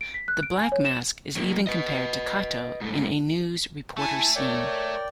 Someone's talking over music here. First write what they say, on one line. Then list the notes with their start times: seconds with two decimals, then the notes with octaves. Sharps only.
The Black Mask is even compared to Kato in a news reporter scene.
0.01 D7
0.14 B6
0.28 F#6
0.43 D7
0.58 G#5
0.72 C#5
0.85 E7
1.36 F#3 A#3
1.67 B4 D#5
2.81 G#2 A3
3.97 A3 E4 G#5 A5
4.36 A#4 C#5 D5 G5